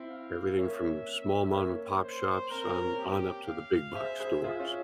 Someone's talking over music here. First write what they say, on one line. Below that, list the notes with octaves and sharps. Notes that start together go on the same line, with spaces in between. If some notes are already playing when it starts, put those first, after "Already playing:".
Everything from small mom and pop shops on on up to the big box stores.
Already playing: C4 E4
F5
A#3 C#4 E5
A#3 C#4
C5
C4 A#4
C4
A#3 C#4
G4
F5
G#4 C5 E5
G#4 C5
F4 G#4 E5
C#4 F4